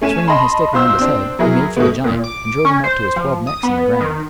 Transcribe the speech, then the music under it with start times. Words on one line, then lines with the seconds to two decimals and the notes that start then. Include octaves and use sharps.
And swinging his stick round his head, he made for the giant, and drove him up to his twelve necks in the ground.
0.02 A3 C#4 D#7 E7
0.28 D#5 A5 B5 C6
0.73 B1 F4 C5 E6
0.99 C4 D4
1.39 F#3 B3 E4 G#4 A#4
1.77 B2 D#3 A3 B3
2.04 A#2
2.24 D6
2.65 C#4
2.84 C5
3.16 F3
3.47 D#6
3.63 B3
4.00 D#3